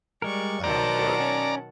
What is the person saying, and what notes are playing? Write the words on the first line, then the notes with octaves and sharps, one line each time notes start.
um, work.
G3 G#3 A#4 D5 C#6
B2 D#3 F#3 C5 D5 F#5 A5 A#5
C#4